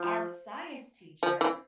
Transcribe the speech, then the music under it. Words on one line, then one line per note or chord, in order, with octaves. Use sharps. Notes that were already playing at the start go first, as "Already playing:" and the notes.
our science teacher
Already playing: F3
F3
E3